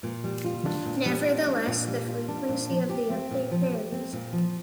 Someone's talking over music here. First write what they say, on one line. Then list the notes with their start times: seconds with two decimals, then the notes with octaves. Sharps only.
Nevertheless, the frequency of the update varies.
0.03 A#2
0.24 G3
0.44 F4
0.65 D4
0.85 A#2
1.05 G3
1.26 F4
1.47 D4
1.67 A#2
1.87 G3
2.08 F4
2.28 D4
2.49 A#2
2.70 F3
2.89 G4
3.10 C4
3.31 A#2
3.51 F3
3.71 G4
3.92 C4
4.13 A#2
4.33 F3